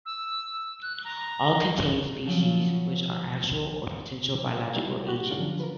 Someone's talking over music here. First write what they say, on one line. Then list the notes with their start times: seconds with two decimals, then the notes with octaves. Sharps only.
All contain species which are actual or potential biological agents.
0.06 E6
0.82 F#6
1.05 A#5
2.25 C#3 F3 F#3
4.76 G3 D#4 E4 F#4
5.06 F#4 G4
5.30 D3 F3 F#3 C#4 D4 F4
5.60 A#4 B4